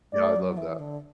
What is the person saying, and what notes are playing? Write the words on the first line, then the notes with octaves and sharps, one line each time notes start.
Yeah, I love that.
A3 D5
F#3
E3
D3